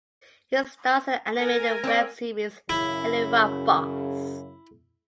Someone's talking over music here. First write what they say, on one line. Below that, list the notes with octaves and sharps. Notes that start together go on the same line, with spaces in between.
He stars in the animated web series "Helluva Boss".
A#4 G#5
C4 D5
F#2 C#3 E4